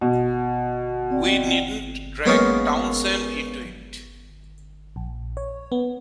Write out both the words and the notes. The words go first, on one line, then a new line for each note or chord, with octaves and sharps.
We needn't drag Townsend into it.
B2
C4 D5 G5
G#3 A#3 B3 C#4 D#4 G#4
A#1
C#5
B3